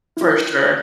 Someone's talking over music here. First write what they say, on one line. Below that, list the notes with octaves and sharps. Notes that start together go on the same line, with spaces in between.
For sure.
E4 F4